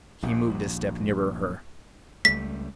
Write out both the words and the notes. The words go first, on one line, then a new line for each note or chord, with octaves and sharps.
He moved a step nearer her.
A#1 D#2
C#2 G3 A3 B6